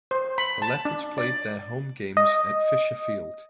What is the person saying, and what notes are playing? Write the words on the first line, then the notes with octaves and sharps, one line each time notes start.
The Leopards played their home games at Fisher Field.
C5
B5
A5
D4
D5
D#5